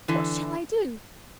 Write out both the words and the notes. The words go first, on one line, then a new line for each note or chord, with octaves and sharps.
What shall I do?
D3 E3